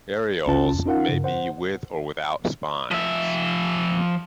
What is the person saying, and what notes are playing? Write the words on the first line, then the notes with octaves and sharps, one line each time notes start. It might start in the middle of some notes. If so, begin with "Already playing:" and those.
Areoles may be with or without spines.
G1 C#2 C#3 C#4 F4 A5
F2
C#4 D#4 F4 A#4 F5 F#5
G2 C#3
C5 F#5
F3 E5